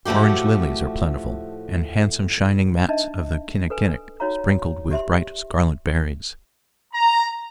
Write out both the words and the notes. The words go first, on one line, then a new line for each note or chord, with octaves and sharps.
Orange lilies are plentiful, and handsome shining mats of the kinnikinic, sprinkled with bright scarlet berries.
A2 F3 A3 F#4 G4
D4 D#4 D#5 E5 A5
A4 B4 G#5
D#4 F#4 C#5 F5 A#5
G4 E5 C6
A#5